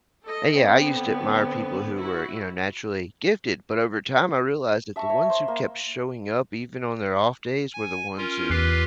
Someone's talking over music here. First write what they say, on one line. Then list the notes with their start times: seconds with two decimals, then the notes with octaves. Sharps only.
and, yeah, I used to admire people who were, you know, naturally gifted, but over time, I realized that the ones who kept showing up, even on their off days, were the ones who
0.24 A4 D#5
0.55 D3 B3 C4
1.97 E4 F#4
4.96 E5 A5 A#5 C#6
5.10 C#5
5.30 C5
5.48 A#3
7.73 G#5
8.18 C#4 F4 A#4
8.50 E2 F4 G4 B4 F#6 C7